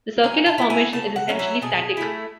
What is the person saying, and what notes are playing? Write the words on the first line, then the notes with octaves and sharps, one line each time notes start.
The circular formation is essentially static.
F#3 G#5
A5
B3 E4
G#5
C#3 A5
F#5
F#3 C#4 E4
E5
B2 G#4
A3 E4